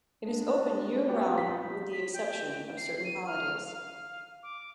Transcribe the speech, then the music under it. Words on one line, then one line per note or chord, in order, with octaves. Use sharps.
It is open year-round with the exception of certain holidays.
G#3 D4
B3 F#4 G4
G3 D#4 B6
B6
G5
C7
D#7
F6
F5
D6